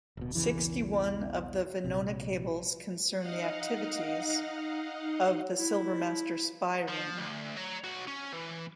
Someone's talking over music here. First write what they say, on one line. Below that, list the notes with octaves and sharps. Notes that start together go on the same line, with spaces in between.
Sixty-one of the Venona cables concern the activities of the Silvermaster spy ring.
D1 B2
B1 E2 C#3 E3
A#1 C3
D#4 D#5 F5 F#5
E4
F3
D2
C#5 A#5
B1 F#4
C#4
E3